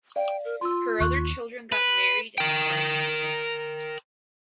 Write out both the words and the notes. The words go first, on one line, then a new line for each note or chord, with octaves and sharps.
Her other children got married and friends moved.
D5 F5 G5
A#4
F4 C6 E6
D#2 C#6 F#6
B4
A#4 G5